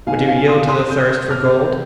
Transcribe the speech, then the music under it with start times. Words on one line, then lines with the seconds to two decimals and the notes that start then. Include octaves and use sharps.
Would you yield to the thirst for gold?
0.07 B2 B3 D#4 F5 G#5
0.28 F5 G#5
0.48 C6 D#6
0.68 C6 D#6
0.89 D#6 G6
1.31 D6 F6